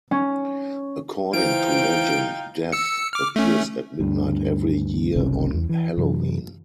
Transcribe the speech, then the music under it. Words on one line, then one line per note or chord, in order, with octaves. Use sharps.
According to legend, "Death" appears at midnight every year on Halloween.
C#4
E3 D#4 F4 C5 G5 D7
E6 C#7
D6 F6
A3 C#4
D2 G2
F#1 C2 C3 C#4
E2
E3
F#2 C3 E3